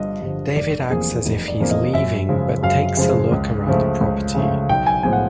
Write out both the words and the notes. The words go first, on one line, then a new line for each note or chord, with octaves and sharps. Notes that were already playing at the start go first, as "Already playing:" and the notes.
David acts as if he is leaving but takes a look around the property.
Already playing: G1 G2 D3 F3 D#5
G2 D3 F3
F1 D5
E2 C3 F3 A#3 G#4
F1
D5
E2 C3 F3 A#3
D#5
F#2 E5
C#3 F3 G#3
F#2 F5
C#3 F3 G#3
C#2
C#3 F3 A3
C#2
C#3 F3 A3
B1 G5
G#5
A2 F3 G#3 B3 G#5
F#5